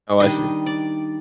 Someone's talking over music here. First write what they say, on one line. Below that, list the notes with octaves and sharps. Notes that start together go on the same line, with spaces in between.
Oh, I see.
D#3 G3 D4 D#5
D5